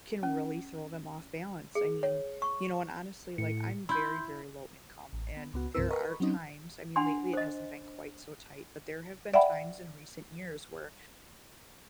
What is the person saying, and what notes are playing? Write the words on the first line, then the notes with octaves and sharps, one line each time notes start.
can really throw them off balance. I mean you know, and honestly, like, I'm very, very low income, and there are times- I mean, lately, it hasn't been quite so tight- but there have been times in recent years where
C#4
G#4
C#5
C#6
A2 C#7
E4 C6 G6
A1
B3
C#2 B3 F#4
C2 G2 C#3 C4 A#4 E6
A#4 B4 D#5 A#5 B5 C#6
F#3 C4 C#4 D#4
D4 F#5 G#5 B5 C6
C5 D#5
D5 E5 F#5 G5 B5